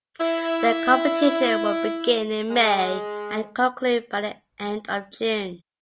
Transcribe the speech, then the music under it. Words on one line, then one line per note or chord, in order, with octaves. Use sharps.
The competition would begin in May and conclude by the end of June.
E4
G#3